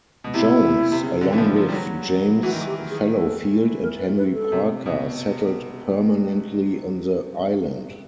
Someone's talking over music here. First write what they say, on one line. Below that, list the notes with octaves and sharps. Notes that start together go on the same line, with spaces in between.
Jones, along with James Fallowfield and Henry Parker, settled permanently on the island.
B2
C3 E4
C3
C#3
D3
E3
F3
F3
G3
F#3
E3 F#4
D#3
E3
G4
G#4
A4
A#4
B4
B4
A4
C3
B2